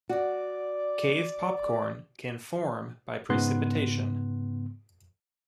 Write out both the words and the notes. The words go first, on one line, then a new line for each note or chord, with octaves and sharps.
Cave popcorn can form by precipitation.
F#4 D5
G#2 C#3 B3 C6 F#6